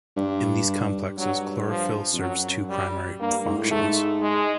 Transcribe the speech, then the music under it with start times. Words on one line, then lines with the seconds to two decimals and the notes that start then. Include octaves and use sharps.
In these complexes, chlorophyll serves two primary functions.
0.17 G2
1.18 G2 F#3
1.69 F3
2.13 F2
2.19 F#2 F#3
2.70 G3
3.21 G2 A#3
3.46 G#2
3.58 A2
3.71 G#2 A3
4.22 G#3